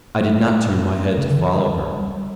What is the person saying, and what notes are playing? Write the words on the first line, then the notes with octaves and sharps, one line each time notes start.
I did not turn my head to follow her.
A3
C#3
D3
E3
F3
G3